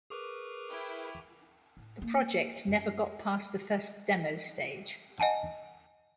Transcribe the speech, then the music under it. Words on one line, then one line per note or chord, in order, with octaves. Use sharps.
The project never got past the first demo stage.
G#4 A#4 B4 C#6 D6 F7
E4 G5
A2
A#3
F#2
D#5 F#5 G#5 A5